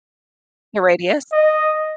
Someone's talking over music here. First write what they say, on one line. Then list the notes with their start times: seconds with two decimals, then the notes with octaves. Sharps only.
The radius.
1.32 D#5